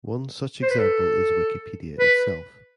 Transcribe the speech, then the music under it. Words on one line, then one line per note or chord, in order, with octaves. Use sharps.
One such example is Wikipedia itself.
C5
B4
A4
B4